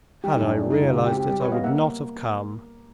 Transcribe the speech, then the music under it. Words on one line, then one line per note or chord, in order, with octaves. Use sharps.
"Had I realised it, I would not have come."
G3 G4
D#4
F#2
D4
G#3 D4
D#4
C#2
F4
G#3 F#4
G4
C4
G4
G3 G4
B4 C#5
B3
D#5 F5
A#3 E5 F#5